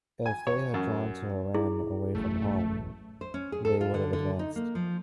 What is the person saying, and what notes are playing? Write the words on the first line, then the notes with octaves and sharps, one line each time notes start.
If they had drawn to Iran away from home, they would have advanced.
G#5
C#5
F#2
E4 G#4
E1 A1 F#2 A3
C5
C#4
G#4
A4
F4
D3
D3
D#4
A#3
F3